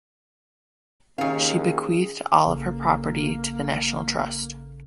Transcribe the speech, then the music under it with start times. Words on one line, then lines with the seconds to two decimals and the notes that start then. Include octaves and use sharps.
She bequeathed all of her property to the National Trust.
1.18 D#2 D#3 C#4 G#4 F5
2.46 A1 C#3 A#3 A4